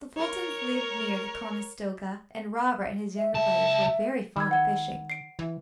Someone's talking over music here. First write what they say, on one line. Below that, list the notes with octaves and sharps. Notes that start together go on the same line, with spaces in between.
The Fultons lived near the Conestoga, and Robert and his younger brothers were very fond of fishing.
A#4 C#5
E5
C#2 E5 A5
D#3 B5 E6 G#6
F#5 G#6
C7 D7
E3